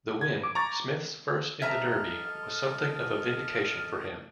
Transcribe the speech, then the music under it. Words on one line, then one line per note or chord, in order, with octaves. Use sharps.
The win, Smith's first in the Derby, was something of a vindication for him.
G#6
D6
A#5 C#6 A6
A4 D#5 E5 A5 A#5 F6